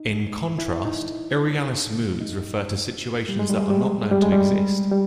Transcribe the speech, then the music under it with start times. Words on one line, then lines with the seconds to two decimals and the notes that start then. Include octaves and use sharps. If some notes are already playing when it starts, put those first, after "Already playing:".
In contrast, irrealis moods refer to situations that are not known to exist.
Already playing: D#4
0.59 E4
0.85 D#4
2.20 D#4
3.29 G3
3.39 G#3
3.50 G3
3.60 G#3
3.70 G3
3.81 G#3
3.91 G3
4.01 G#3
4.11 G3
4.22 G#3
4.32 G3
4.91 G3